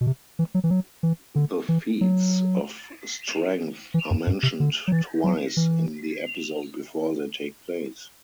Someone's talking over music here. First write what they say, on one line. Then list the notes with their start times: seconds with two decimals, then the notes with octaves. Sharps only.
The Feats of Strength are mentioned twice in the episode before they take place.
0.01 B2
0.07 C3
0.39 E3
0.55 F#3
0.64 E3
0.70 F#3
1.03 E3
1.35 D3
1.69 E3
2.01 F#3
3.94 E3
4.11 F#2
4.27 G2
4.43 C3
4.60 D3
4.88 F#3
4.92 E3
5.24 F#3
5.57 E3